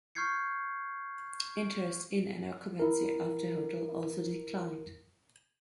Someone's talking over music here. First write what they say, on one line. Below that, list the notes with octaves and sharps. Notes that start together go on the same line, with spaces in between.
Interest in and occupancy of the hotel also declined.
C#6 F6 G6 G#6 C7 C#7
E4 A#4